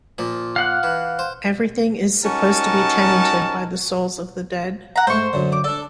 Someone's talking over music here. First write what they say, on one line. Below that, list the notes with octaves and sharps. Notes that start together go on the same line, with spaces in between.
Everything is supposed to be tenanted by the souls of the dead.
A#2 F3
F5 F#5 F#6
E3
C5
C#4 D#4 F#4 A#4 A5
F#5 A#5
G#2 A3 C5 C#6
F#2 D3
D6
D4 A4 D5